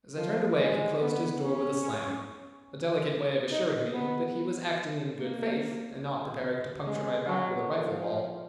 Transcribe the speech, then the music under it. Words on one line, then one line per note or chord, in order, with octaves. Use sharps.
As I turned away he closed his door with a slam,—a delicate way of assuring me that he was acting in good faith, and not preparing to puncture my back with a rifle-ball.
F3
G#3
B3
C#4
D#4
B3
A#3
G#3
F#3
F3